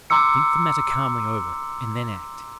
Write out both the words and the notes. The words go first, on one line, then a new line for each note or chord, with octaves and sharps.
Think the matter calmly over, and then act.
A#5 C6 D6 E6 C#7